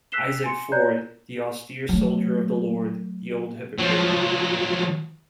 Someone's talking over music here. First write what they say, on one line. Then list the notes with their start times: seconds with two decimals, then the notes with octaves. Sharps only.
Isaac Ford, the austere soldier of the Lord, the old hypocrite.
0.12 E6 F#6 B6 C7 E7 G7
0.44 G#5 C6 C#7
0.72 C#5 D5 A#5 F#6 G6
1.89 F#3 A3
3.79 F3 F#3